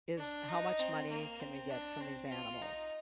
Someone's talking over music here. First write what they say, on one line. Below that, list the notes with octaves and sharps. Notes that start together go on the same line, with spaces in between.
is how much money can we get from these animals,
D4
D#4
C4
A#3
C4
D4
C4
F4
D#4